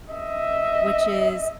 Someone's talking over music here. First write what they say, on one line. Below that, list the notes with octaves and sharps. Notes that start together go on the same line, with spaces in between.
which is
D#5 E5